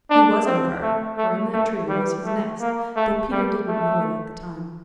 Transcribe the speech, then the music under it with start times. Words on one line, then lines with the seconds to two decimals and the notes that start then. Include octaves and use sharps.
He was on guard, for in that tree was his nest, though Peter didn't know it at the time.
0.10 D4
0.46 C4
0.82 A3
1.18 A3
1.53 A3
1.89 G3
2.25 A3
2.60 A#3
2.96 A3
3.32 G3
3.68 A3